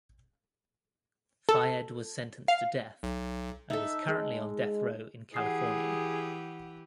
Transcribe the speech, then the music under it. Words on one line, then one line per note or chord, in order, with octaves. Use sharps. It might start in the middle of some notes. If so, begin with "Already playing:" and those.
Fayed was sentenced to death, and is currently on death row in California.
A4
F5
B1
D#4 A4 E5
G#3
E3 G4 G#4 F#5 D#6 C7